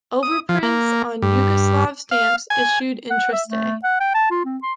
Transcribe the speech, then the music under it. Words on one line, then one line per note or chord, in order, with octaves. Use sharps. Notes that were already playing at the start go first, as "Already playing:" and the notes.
Overprints on Yugoslav stamps issued in Trieste.
D#6
F3
A#3
G2
F5
G#5
F#5
E5
A3
F#5
G5
A5
F4
C4
C6